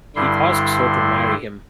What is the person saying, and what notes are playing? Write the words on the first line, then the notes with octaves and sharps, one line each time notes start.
He asks her to marry him.
G2 D3 G3 E4 C6